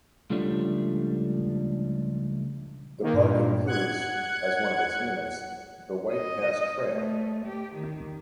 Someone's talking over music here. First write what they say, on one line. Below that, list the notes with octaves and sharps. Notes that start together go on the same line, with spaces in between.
The park includes as one of its units the White Pass Trail.
C#2 F3 G3 A3 D4 C#5
D#3 A#3
G2 A#2
F#5 F#6 G#6
D#5
A3
G4
D#3